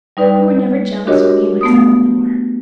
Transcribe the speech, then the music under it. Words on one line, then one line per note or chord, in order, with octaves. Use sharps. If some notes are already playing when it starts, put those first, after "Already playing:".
You were never jealous, or mean, like some of them were.
G3 D#4 B4 D5 G5
D4 F#4 G4 A#4 C#5 D#5
A3 B3 D#6